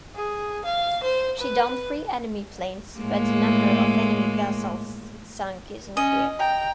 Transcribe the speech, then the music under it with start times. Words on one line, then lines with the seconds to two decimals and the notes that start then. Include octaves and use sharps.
She downed three enemy planes, but the number of enemy vessels sunk is unclear.
0.15 G#4
0.65 F5
1.03 C5
1.39 B4
2.98 A2 G#3 A#3
5.97 C#4 D#5
6.39 G5 A#5